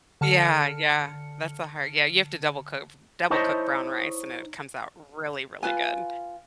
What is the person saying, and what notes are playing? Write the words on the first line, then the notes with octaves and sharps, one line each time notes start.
Yeah, yeah, that's the hard yeah, you have to double coo f double cook brown rice, and it comes out really, really good.
D3 A5 F6 C#7
D#4 E4 C5 C#5 D#5 A5
F4 B4 G#5